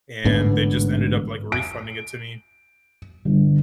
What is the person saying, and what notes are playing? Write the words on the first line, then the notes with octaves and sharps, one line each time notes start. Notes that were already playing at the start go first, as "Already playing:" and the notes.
and they just ended up, like, refunding it to me
A1 G#2 D3 B3
D7
G1